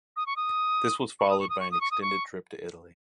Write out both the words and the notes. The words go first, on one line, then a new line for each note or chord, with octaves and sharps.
This was followed by an extended trip to Italy.
D#6
C#6
D#6
C#6
D#6
C#6
D#6
C#6
D#6
C#6
D#6
C#6